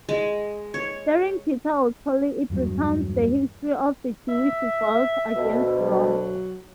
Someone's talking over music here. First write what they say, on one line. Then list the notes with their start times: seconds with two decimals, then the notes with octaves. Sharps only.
Starring Peter O'Toole, it recounts the history of the Jewish revolt against Rome.
0.09 G#3
0.74 C#5
2.50 E2 G2 F#3 G#3
4.29 E5
5.36 D2 B2
5.79 F#3